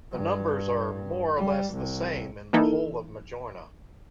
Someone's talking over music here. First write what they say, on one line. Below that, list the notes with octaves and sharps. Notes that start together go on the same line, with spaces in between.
The numbers are more or less the same in the whole of Majorna.
G2
G3
C2
E3 A#3 D#4 E4 A4 A#4